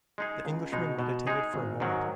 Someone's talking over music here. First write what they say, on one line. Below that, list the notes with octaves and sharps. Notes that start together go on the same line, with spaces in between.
The Englishman meditated for a moment.
G#3 D#4 G#4
C#2
B2 G#3 D#4
B2
G#3 D#4 G#4
G#1
G#2 D#3 F#3